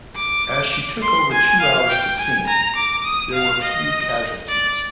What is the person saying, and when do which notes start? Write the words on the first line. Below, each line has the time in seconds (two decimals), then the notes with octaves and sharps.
As she took over two hours to sink, there were few casualties.
0.16 D6
1.02 C6
1.32 G#5
1.60 F5
1.89 G5
2.19 G#5
2.47 A#5
2.76 D6
3.04 D#6
3.33 F5
3.62 D#5
4.49 D5